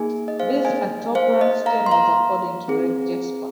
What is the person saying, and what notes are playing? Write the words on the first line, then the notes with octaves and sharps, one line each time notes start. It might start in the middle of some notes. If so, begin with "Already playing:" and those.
These are top ranked journals according to Red Jasper.
Already playing: A#3 D#4 G#4 G#5
D#5
C5 F5
D#5 G#5
C5 F5
D#5
F5 A#5
C6
F5 A#5
C4 G#4